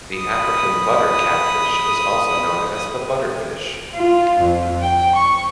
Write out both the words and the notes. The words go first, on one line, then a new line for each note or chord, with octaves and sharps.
The African butter catfish is also known as the butter fish.
B5 D#6
F4
F2
G5
C#6